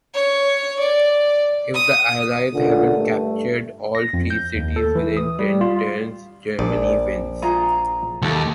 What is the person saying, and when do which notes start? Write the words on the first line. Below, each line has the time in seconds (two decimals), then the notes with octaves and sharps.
If the allies haven't captured all three cities within ten turns, Germany wins.
0.14 C#5
0.79 D5
1.74 D#6
2.53 C#2 A#2 D3
2.96 G2 A3
3.95 A#6
4.13 F2
4.30 G6
4.56 D#2
4.76 A4
4.95 E3
5.17 D#6
5.39 G3
5.61 F4
6.59 A#1 D5
7.42 F4 G#4 A#5
8.22 D#2 G4 A4